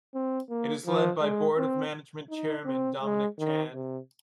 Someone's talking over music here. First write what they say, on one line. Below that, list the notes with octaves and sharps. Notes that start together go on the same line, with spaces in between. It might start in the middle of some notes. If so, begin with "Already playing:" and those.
It is led by Board of Management chairman Dominic Chan.
C4
A#3
F3
G#3
C4
D#4
C4
G#3
D#3
C3